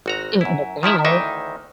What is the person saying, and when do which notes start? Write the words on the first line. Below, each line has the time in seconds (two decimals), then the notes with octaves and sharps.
out and about.
0.06 G#1 F#4 A#5
0.41 F#2 E4
0.83 D#3 F3 E4 E5
1.05 D2 D#3 E3 D#4 E5 G5